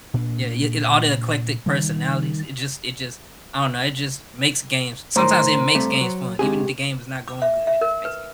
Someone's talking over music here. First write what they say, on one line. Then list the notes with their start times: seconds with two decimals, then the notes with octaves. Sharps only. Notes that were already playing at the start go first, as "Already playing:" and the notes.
yeah, i it all the eclectic personalities, it just it just I don't know, it just makes games sometimes it makes games fun, even the game is not going good, it just makes games fun.
0.14 A#2 D4
1.66 D#3 G3
5.16 A2 D#3 C5 A#5 C6
5.75 G2 C3 A3
6.01 F#3
6.39 G#2 C3 G4 G#4
7.28 D6
7.42 E5
7.67 E5
7.81 A#4
8.05 B4